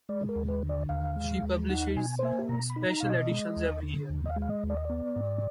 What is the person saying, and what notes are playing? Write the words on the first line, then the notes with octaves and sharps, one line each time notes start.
She publishes special editions every year.
G#3 D5
A#4
D#2
B4
D3
D5
D#2 F5
G#3
D#2
D#4 F#5
B2 G#5
A#3 G#5
B2 A#5
B5
D#4
A#5
B2 F5
D#5
G#3
D#2
D3
D#2
D#5
F5
G#3
F5
D#5
D#2
D5
D#5
B3 D5
G#2